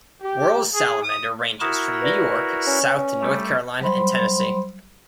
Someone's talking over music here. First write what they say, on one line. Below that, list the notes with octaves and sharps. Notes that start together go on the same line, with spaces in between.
Wehrle's salamander ranges from New York south to North Carolina and Tennessee.
G4
G#4
D#6
E4 F#4 A#4 D#6 E7
B4 D5 A#6
C#4
G3 A3
F#3 G3 C5 B5 C6